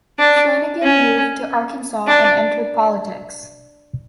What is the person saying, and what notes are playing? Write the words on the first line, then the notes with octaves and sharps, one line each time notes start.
Flanagin moved to Arkansas and entered politics.
D4
C#4
D4